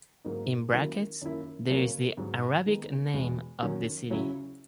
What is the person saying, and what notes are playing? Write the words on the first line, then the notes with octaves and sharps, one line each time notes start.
In brackets there is the Arabic name of the city.
G#2 F#3 A#3 D#4
D#3 F#3 A#3 C#4 E4
F#2 D#3 A#3 E4
C#3 F#3 A#3 C#4
G#2 F#3 B3
D#3 G#3 B3 D#4
E2 B2 G#3
F#2 D#3 F#3 C#4
C#3 F#3 C#4 E4